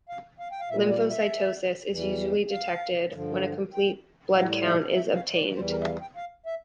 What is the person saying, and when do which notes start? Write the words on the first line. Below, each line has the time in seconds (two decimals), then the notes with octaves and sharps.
Lymphocytosis is usually detected when a complete blood count is obtained.
0.09 F5
0.39 F5
0.51 G5
0.60 F5
0.70 A#2 G3 E5
0.90 D5
1.10 E5
1.91 E2 E3 G3
2.51 F5
3.12 G2 D3 F3
3.73 G5
4.34 A2 G3 F5
4.64 E5
4.95 E5
5.15 F5
5.35 D5
5.55 E2 E3 G3 C5
5.71 A#4
5.82 E5
5.86 F5
6.01 G5
6.16 F5
6.46 E5